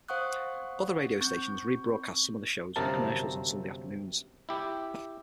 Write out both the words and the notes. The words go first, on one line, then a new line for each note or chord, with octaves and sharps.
Other radio stations rebroadcast some of the shows with commercials on Sunday afternoons.
C5 F5 F#5 C#6 D#6 F#6
C4 C#6 G6
G1 F#2 C3 A#4 A5
E4 G4